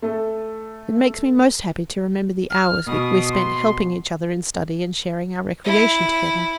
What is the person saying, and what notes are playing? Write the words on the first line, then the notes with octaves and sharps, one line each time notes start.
It makes me most happy to remember the hours we spent helping each other in study and sharing our recreation together.
A3 A4
F6
B2 D#6
C6
E4